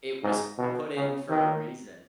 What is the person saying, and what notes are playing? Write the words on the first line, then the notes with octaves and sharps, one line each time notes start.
it was put in for a reason.
G#2
B2
C#3
D#3